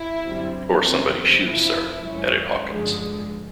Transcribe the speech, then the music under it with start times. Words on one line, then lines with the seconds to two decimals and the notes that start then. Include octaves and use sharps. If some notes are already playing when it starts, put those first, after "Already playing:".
"Or somebody's shoes, sir," added Hawkins.
Already playing: E4
0.24 F#2 D3 G3 C4
0.85 F2 C3 D#3 G3 C4
1.47 F2 C3 F3 E4
2.07 F#2 D#3 G#3 C#4
2.68 G2 D3 F3 G#3